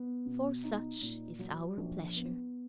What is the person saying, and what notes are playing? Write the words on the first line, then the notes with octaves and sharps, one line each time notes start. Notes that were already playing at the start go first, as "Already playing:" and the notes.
"For such is our pleasure."
Already playing: B3
B2
D#4
A#2
F#3
A#1
B3